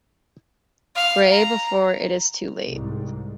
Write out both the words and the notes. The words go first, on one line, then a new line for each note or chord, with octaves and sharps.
Gray before it is too late.
F5
A#5
C2 G#2